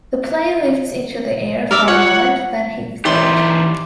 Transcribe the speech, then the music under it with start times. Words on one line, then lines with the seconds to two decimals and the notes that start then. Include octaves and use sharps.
The plane lifts into the air for a moment, then hits the water.
1.71 A#4 D5 E5
1.88 F4 C#5 F#5
3.05 E3 D#4 G4 D5 E5 C6